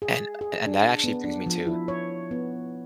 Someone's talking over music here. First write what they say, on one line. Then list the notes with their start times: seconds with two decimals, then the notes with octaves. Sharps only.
and and that actually brings me to
0.02 G#4
0.41 G#4
0.66 D4
1.04 B3
1.24 D4
1.46 F3
1.67 E4
1.88 C#5
2.31 B3